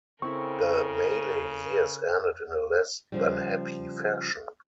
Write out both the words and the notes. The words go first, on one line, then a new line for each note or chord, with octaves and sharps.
The Maley years ended in a less than happy fashion.
C#3 C4 E4 A4 A#4 E5 C#6
C#3 F3 G3